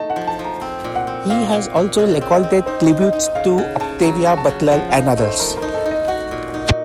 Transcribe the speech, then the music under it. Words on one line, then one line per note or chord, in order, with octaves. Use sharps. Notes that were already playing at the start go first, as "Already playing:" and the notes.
He has also recorded tributes to Octavia Butler and others.
Already playing: A3 D#4 A5
F#5
F3
A5
F3
A#5
C4
A#2
F#5
C4
A#2 F5
A#2
A#2
C#3 D#5
C4
D#5
C4
D#4 C5
D#4
D#5
D#4
C#3 F5
C#3 F#5
C#3 A5
F#3 A#5
F#4
A5
C#3
F3 F#5
D#4 F5
A3
C5
F3 A#4
D#4 A#4
A4
D#4
D#5
F#4 F#5
A#2
D#4